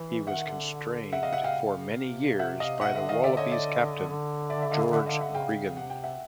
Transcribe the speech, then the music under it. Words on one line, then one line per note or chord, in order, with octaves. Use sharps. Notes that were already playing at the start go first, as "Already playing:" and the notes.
He was constrained for many years, by the Wallabies captain, George Gregan.
Already playing: E3
D#3 E5 F#5
D3
C#3 E5 F#5
D#5 F5
E5 F#5
F5 G5
C3
E5 F#5
D#5 F5
B2 E5 F#5
D3 E5 F#5
D#3 D#5 F5
D3 D5 E5
C#5 D#5
D5 E5
D3
D5 E5
E5
D#5 F5
E5 F#5
D#5 F5
E5 F#5
C#3 F5 G5
C3 F#5
G5
E5 F#5